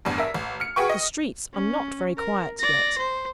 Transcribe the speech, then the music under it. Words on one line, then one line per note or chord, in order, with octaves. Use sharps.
The streets are not very quiet yet.'
A1 E2 G2
A#4 E5
A1
F6 C#7
F#4 G#4 B4 G5 C#6
D#5
C#4
A#4
D5 A#6
C5